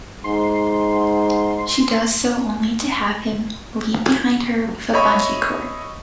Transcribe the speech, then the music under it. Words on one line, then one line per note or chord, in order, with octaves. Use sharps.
She does so only to have him leap behind her with a bungee cord.
G#2 C6
C#5 D#5 E5 B5 C#6